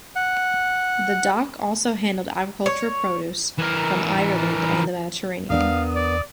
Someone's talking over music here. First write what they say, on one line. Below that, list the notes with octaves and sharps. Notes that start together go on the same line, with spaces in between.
The dock also handled agricultural produce from Ireland and the Mediterranean.
F#5
C#5
E3 A#4
E2 B3 D4 A#4 F5 D#6
D5